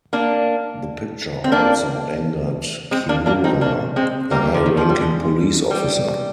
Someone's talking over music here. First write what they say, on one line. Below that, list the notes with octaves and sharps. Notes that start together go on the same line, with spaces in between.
The picture also angered Kimura, a high-ranking police officer.
A#3 D4
C4
A#3 D4
G#3 C4
A#3 D4
A#3 D4
C4 D#4
A#3 D4
G#3 C4
G3 A#3
D3
D#3
F3
G3
G#3
G3